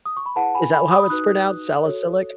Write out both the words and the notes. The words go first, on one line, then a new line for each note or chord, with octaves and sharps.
Is that how it's pronounced, salicylic?
D#6
C#6
B5
E4 G#4 B4 F#5 A5
G#5 B5
G#5 B5
B5 D#6
D#4 F#4 B4 D#6 F#6
F#4 A4 C#5